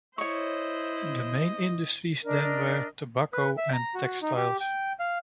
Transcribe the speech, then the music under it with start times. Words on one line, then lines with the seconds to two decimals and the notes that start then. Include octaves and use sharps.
The main industries then were tobacco and textiles.
0.18 E4 C5 C#5 D#5 C#6
2.24 D4 A#4 D5 D#5
3.33 B4
3.58 E5
3.73 A#5
3.95 F#4
4.22 D#4
4.37 G4
4.60 G5
5.00 F5